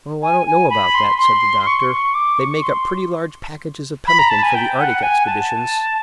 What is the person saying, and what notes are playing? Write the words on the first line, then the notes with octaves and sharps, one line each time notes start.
"Oh, I don't know about that," said the doctor, "they make up pretty large packages of pemmican for the arctic expeditions."
G#5
G#5
B5
C6
C6
C#6
C#6
D6
C#6
C6
B5
A#5
A5
G#5
G5
F#5
G#5
A5